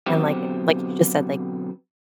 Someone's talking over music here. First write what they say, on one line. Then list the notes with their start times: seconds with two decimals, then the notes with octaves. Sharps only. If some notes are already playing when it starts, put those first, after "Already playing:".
and like like you just said, like,
0.06 B2 D3 F#3 B3 C4 G4